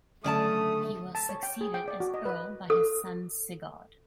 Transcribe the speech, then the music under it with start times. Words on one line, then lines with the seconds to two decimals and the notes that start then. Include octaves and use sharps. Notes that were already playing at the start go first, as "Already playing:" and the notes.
He was succeeded as earl by his son Sigurd.
0.24 D3 F#3 A3 C#4 D5 A5 D#6
1.15 A5
1.29 C#5
1.43 G5
1.61 G#4
1.74 G5
1.88 D5
2.00 F#4
2.14 D#5
2.25 B4
2.70 A4